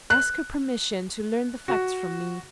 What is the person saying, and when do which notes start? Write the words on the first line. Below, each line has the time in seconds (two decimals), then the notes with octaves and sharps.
Ask her permission to learn the facts from me.
0.10 F#6
1.68 F#4